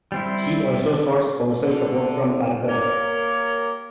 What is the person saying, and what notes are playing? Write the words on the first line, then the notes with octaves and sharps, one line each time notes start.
She also sought spousal support from Parker.
G3 C4 E4
D3
A#3 G4 A#4 C#5